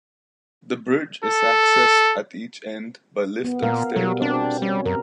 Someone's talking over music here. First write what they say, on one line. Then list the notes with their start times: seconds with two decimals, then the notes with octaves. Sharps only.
The bridge is accessed at each end by lift and stair towers.
1.24 A4
3.44 B3
3.63 A#2 A#4 F5
3.96 B2 F#3 G3
4.22 C4 D4
4.62 G3 C#4
4.86 F#2 A#4